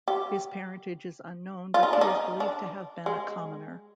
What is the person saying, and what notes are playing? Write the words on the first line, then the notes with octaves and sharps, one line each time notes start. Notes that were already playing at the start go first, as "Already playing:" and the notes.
His parentage is unknown but he is believed to have been a commoner.
G4
F4
D#4
D4
D#4
D4
G#3